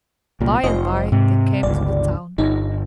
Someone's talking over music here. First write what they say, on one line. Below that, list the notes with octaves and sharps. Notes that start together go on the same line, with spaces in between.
By and by they came to the town.
C2 A#2
F1 F4 C5 D#5
G#2 C3
G1 C#2 D5
G1 D#4